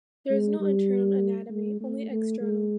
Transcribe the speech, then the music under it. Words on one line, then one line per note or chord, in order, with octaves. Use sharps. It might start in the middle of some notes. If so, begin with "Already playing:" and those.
There is no internal anatomy, only external.
G#3
G3
G#3
A3
A3
G#3